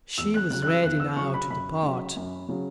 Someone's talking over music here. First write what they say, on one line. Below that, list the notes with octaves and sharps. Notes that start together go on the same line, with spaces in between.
She was ready now to depart.
E2 E6
F#6
C#3 F#3 F#6
F#6
E6
E2 F#6
E6
C#3 F#3 C#6
B5
F#2 B5
C#3 F#3
F#2
C#3 F#3